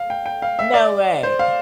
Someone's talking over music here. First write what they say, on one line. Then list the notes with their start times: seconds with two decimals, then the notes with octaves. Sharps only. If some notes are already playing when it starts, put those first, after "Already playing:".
No way,
Already playing: F5
0.10 G5
0.26 G5
0.42 F5
0.59 E5
0.74 D5
1.23 C5
1.39 F5